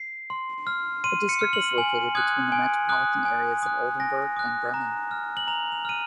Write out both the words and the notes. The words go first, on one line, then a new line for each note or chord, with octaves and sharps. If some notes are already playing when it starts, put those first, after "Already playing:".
The district is located between the metropolitan areas of Oldenburg and Bremen.
Already playing: C7
C6
F6
C6 D#7
C#7
F6
F#7
G#5 F#7
D#6 F#6 G#6
G#5
D#6 F#6
G#5
D#6 F#6
G#5 A#6
D#6 F#6
A#5
F6
F#7
A#5 F7
F7
F6 D#7